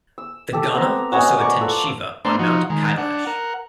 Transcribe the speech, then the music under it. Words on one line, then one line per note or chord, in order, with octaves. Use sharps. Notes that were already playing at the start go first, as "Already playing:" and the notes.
The gana also attend Shiva on Mount Kailash.
E6
G4 A4
B3 C4 A#5
G#3 B3 C#4 F#4
F#4 A#4 D5 C#6
F4 A4
A3 B3 D4 C5 A#5 C6
F3 D#4 F#4
D#3 G#3
D4 F#5
A#4 F#5